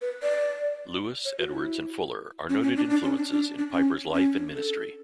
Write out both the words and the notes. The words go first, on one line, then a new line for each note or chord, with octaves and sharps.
Lewis, Edwards and Fuller are noted influences in Piper's life and ministry.
B4
D5
C#5
F#4
E4
C#4
C#4
D4
D4
C#4
D4
D4
D4
C#4
C#4
D4
A4